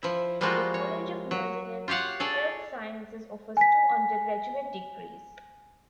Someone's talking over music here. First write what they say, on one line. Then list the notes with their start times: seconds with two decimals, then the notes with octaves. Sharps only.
The College of Nursing and Health Sciences offers two undergraduate degrees.
0.03 F3 E4
0.41 F3 G3 G#3 A#3 F4 F#4
0.74 C#5
1.31 F#3
1.88 F4 G4 C#5 F5 F#5
2.20 G#4 A4 C#5 D5
3.57 G#5 B6